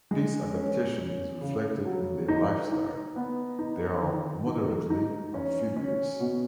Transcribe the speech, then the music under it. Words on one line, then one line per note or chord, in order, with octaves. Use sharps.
This adaptation is reflected in their life style; they are moderately amphibious.
G#3
C#4
C#4
C#3
F#3
D#4
D#4
B3
D#4
D#3
D#4
D#4
C#4
C#4
B2